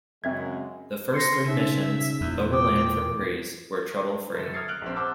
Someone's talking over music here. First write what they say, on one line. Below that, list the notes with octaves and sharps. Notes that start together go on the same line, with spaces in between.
The first three missions, overland from Greece, were trouble-free.
F#2 C#3 G#3 C4 E5 G#6
C6 A#6 C7 C#7
C#3 D#4 E5
E5
E2 A#2
G5 D6 D#6
F#2 A4
D#6 F6 G#6 A6 C7 C#7
F6 F#6 D7 F#7
A#1 C4
C5 F#5 A5 D6 E6